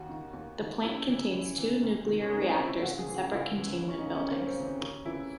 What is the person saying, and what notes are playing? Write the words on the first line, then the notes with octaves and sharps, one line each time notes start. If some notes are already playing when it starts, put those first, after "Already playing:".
The plant contains two nuclear reactors in separate containment buildings.
Already playing: D#2 F#4
D#3
D#2
D#3
F#2 E4
C#3 E3
F#2
C#3 E3
C2
C3 D#3
C#4
C2 D#4
C4
C#4
C3 D#3
E4
C#2 F#4
G#4
C#3 E3
F#4
C#2 E4
C#3 E3
D#2
C#4
D#4
C#3 E3
C#4
D#2 C4
C#4
C4
C#3 E3
D#2 C#4
C#3 E3 E4